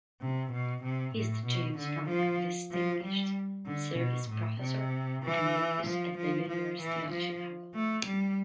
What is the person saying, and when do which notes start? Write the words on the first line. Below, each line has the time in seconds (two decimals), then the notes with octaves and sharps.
He is the James Franck Distinguished Service Professor Emeritus at The University of Chicago.
0.21 C3
0.52 B2
0.84 C3
1.15 A2
1.46 B2
1.78 D3
2.09 F3
2.72 F3
3.04 G3
3.66 D3
3.98 B2
4.30 A2
4.60 C3
5.23 E3
5.86 F3
6.17 F3
6.48 F3
6.81 E3
7.11 F3
7.74 A3
8.06 G3